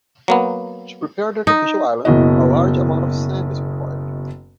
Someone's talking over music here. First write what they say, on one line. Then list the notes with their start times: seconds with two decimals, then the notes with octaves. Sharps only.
To prepare the artificial island, a large amount of sand is required.
0.28 F#3 A#3 B3
1.47 D#4
2.05 F#1 B2 E4 F#4 D#5